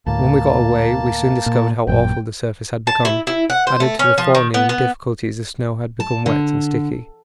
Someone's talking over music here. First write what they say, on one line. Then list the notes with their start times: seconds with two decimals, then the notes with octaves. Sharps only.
When we got away we soon discovered how awful the surface had become; added to the forenoon difficulties the snow had become wet and sticky.
0.06 D2 A2 A#3 A5
1.46 A#2
1.87 A1 F#2 A#2 G5
2.87 A5
3.05 E4
3.27 E4
3.50 F#5
3.67 C5
3.80 A3
3.99 C#4
4.18 F3
4.35 D#3
4.54 B3
4.69 B3
6.00 A5
6.26 D3